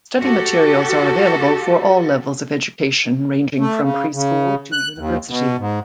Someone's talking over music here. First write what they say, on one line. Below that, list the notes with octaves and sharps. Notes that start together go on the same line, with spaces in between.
Study materials are available for all levels of education ranging from preschool to university.
F#4 G4 A4
A3
C#3
C#3
F#6
D#2
B2
G#2